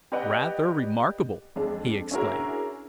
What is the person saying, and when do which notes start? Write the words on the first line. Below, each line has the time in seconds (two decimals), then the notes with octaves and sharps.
"Rather remarkable!" he exclaimed.
0.12 G4 B4 D5 D#5 F#5 G5
1.56 F2 G#3 D4
2.11 C#4 D4 E4 F#4 G#4 A#4